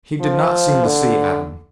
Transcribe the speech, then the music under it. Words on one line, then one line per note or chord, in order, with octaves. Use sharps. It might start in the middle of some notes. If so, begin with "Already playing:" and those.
He did not seem to see Adam.
F3
D3